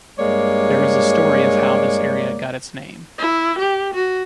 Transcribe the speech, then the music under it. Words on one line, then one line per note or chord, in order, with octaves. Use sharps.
There is a story of how this area got its name.
G2 G#3 A#3 C#5 D5
E4
G4
F#4